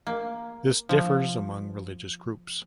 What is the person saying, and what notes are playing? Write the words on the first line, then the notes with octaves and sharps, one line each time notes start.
This differs among religious groups.
A#3
F3